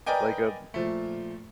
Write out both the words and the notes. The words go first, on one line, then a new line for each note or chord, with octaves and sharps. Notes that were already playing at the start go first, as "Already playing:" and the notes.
like, um
A#4 B4 D5 D#5 G5 G#5
A#2 F3 A3